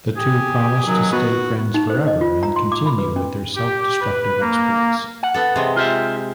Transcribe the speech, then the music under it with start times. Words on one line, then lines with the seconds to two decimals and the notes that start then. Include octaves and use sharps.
The two promise to stay friends forever and continue with their self-destructive exploits.
0.17 G4 G#4
0.86 F#2 B2 D#3 F#3
1.13 B3 F#4
1.74 D#4
1.90 C5
2.07 D#5
2.21 F4
2.43 A#5
2.56 C6
2.72 D6
2.86 B5
2.98 B4
3.16 C#4
3.55 G4
4.00 B4
4.41 A#3
5.23 F#5
5.34 B3 A4
5.56 C3 G#3
5.76 F4 G4 E5